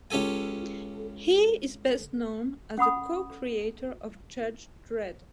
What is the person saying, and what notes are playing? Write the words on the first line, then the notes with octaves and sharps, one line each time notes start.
He is best known as the co-creator of "Judge Dredd".
C#2 C#4 G4 A4 G#5
C#4 F#5 B5 D#6